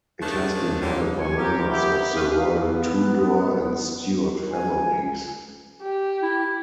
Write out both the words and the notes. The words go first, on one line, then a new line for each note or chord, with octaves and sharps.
It has been held by members of the royal Tudor and Stuart families.
C#3 A3 A#3 D4 D#4 C5
A#2 D3 E3 G3 C#5 D5
C#5 G#5
G4 A#4
B3 E4 G4
A3 C#4 B4 F5 D#6
F5
B3
G#5
G4
E4